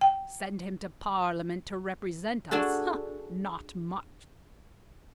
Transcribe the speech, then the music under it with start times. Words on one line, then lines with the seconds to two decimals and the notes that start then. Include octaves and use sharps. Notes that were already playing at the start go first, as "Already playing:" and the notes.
Send him to Parliament to represent us--not much!
0.01 G5
2.51 D4 F#4 G#4 A4